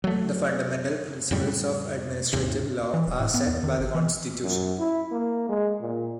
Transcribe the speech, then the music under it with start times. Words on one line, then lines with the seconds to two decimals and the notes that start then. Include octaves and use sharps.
The fundamental principles of administrative law are set by the Constitution.
0.04 F#3 A3
1.31 F2 A2 C#3 G3
2.33 D#2 G#2 C3
2.94 E3
3.07 D#1
3.20 A2
3.34 B3
3.47 E2
3.64 D#3
3.80 G#1
3.95 E3
4.42 F#2
4.79 E4
5.11 A#3
5.49 G#3
5.81 A#2